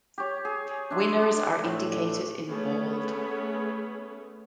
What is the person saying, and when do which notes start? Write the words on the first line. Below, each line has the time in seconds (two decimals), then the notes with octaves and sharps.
Winners are indicated in bold.
0.18 G4 C#5
0.45 G#4
0.90 D4 E5 C6
1.22 D4
1.65 A2
2.48 A3 B3 C#4 G#4 C#5 B5